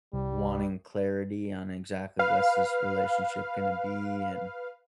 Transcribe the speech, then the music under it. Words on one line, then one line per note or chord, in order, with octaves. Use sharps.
wanting clarity on exactly what's this relationship gonna be, and,
C2 G3
B4 F5